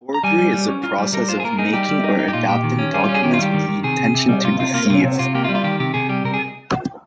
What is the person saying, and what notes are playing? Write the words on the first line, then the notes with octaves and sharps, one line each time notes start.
Forgery is the process of making or adapting documents with the intention to deceive.
A#5
G3 G#5
G3
G3
C#4
F4
G3
G3 A#4
F4 C5
G#4
A#3 A#4
D#4 G#4
G3 G4
G3
D#4
D#4
G4
A#2 F4
A#2 G4
D#3
C#4
G3 G#4
F4
C#4
G#4
D#3 G4
F4
G3 G4
D#3
D#3
C3 G#4
C3
C3
G3
C3 F4
C3 F4
A#3 F4
C3 F4
C3
C3 F4
A#3 G4
F4
G3
F4
D#3 G4
C3 G4
C3 G#4
G3 G4
C3 A#4
G#4